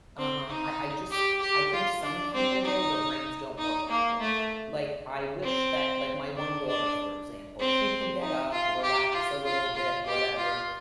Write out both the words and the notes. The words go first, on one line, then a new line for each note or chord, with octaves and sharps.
Uh-huh. I I just I think some people, though, their brains don't work that way. Like, I wish that, like, my one daughter, for example, she could get up, relax a little bit, whatever,
C4
D#4
G4
G4
F4
D4
C4
D#4
D#4
A#3
A3
C4
D4
D4
C4
D#4
F4
G4
F4
F4
F4
G4
F4